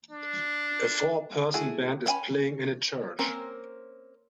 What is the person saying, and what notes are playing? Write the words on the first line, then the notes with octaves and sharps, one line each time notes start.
A four person band is playing in a church.
D4
A3 E4 F#4 G#4
B3 C#4 G5 G#5 B5
A#3 C4 C#4 A#4